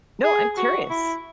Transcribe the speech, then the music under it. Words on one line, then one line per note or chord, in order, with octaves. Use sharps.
No, I'm curious.
G#4
F#4
E4